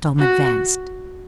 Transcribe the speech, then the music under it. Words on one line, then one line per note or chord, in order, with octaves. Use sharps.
Tom advanced.
F#4